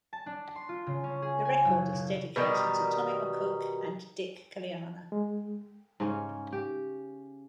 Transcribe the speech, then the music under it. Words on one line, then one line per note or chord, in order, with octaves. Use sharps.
The record is dedicated to Tommy McCook and Dick Qualiana.
A5
D4
C6
F4
C#3
C#4
G#4
G#5
F#1
B2
B2 D#3 G3 D#4
G#3
G#2 C#3 C#4
G4